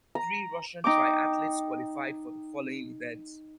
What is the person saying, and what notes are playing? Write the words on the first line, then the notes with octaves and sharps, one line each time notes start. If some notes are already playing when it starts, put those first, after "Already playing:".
Three Russian triathletes qualified for the following events.
A#5
D#4 G5 D6